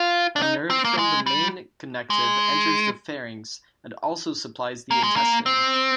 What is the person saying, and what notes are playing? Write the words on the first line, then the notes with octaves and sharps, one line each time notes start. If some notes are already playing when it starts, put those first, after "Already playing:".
A nerve from the main connective enters the pharynx and also supplies the intestine.
Already playing: F4
D4
D#4
C4
A#3
G#3
G3
G#3
A#3
G#3
A#3
C4